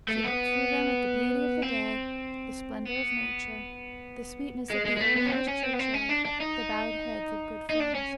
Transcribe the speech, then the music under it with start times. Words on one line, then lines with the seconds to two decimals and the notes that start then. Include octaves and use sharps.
She looked through them at the beauty of the day, the splendour of nature, the sweetness of the old English churchyard, the bowed heads of good friends.
0.08 A3
0.23 B3
1.62 C4
2.86 B3
4.71 G#3
4.86 G#3
4.97 G#3
5.01 A3
5.17 B3
5.27 C#4
5.32 C4
5.48 C#4
5.64 C4
5.73 B3
5.79 C4
5.94 C#4
6.10 D4
6.25 D4
6.41 D#4
7.70 D#4
7.80 D4
7.95 C#4